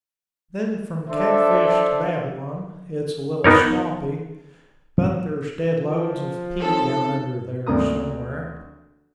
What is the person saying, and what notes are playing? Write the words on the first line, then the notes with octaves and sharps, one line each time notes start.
Then from Catfish to Babylon it's a little swampy, but there's dead loads of peat down under there somewhere.
D4 A4 C5 E5
B3 D#4 A#4 C#5
F3
C4 D#4 A4 C#5
D2 C3 A#3 A#5 D#6